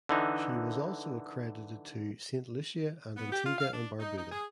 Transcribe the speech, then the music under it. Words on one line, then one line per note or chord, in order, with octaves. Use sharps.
She was also accredited to Saint Lucia and Antigua and Barbuda.
D3 E3 D#4
B3
G4
F4
F5
D4
D#4
D#4
G#4